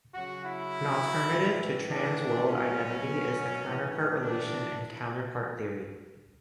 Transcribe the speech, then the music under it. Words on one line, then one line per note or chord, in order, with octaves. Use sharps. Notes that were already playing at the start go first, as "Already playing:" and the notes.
An alternative to trans-world identity is the counterpart relation in Counterpart theory.
C#3 F#3 F#4
E4
A2 E3
D4
B2 F#3 C#4
A2 E3
D4